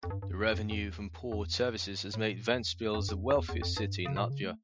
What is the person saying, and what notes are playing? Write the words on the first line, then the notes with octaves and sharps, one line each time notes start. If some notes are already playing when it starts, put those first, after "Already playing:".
The revenue from port services has made Ventspils the wealthiest city in Latvia.
F2
G2
G2
F2
F2
G2
F2
E2
F2
E2
F2
G2
F2
G2
A2
A#2
F2
E2
F2
F2
G2
F2
E2
E2
F2
G2
C#3
A#2
C#3
A3